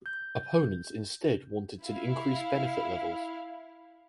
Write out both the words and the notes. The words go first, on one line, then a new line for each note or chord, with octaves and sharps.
Opponents instead wanted to increase benefit levels.
G6
E4 F5